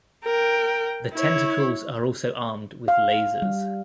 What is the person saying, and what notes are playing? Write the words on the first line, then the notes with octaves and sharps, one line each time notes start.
The tentacles are also armed with lasers.
A#4 G5
E4 C#5
F5
G3